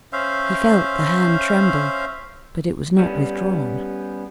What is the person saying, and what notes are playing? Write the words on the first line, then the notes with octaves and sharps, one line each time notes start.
He felt the hand tremble; but it was not withdrawn.
C#4 C5 E5 F5
G3 B3 C#4